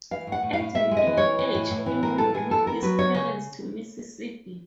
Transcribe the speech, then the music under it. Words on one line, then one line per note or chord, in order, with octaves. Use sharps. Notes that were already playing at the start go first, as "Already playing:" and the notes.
At an early age he moved with his parents to Mississippi.
E3 F5
A2
F#5
A2
F5
A2
A2 E5
G#3
D#5
E3
C#5
E3
E3
A2
A2
E3
A2 A#4
A2 A4
E3 G#4
E3 A4
B3 A#4
F#3 B4
B3 C#5
C#3 C#5